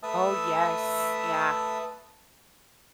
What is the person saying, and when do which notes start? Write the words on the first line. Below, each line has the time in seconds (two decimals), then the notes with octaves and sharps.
Oh, yes, yeah.
0.03 A3 B4 E5 A5 D#6 E6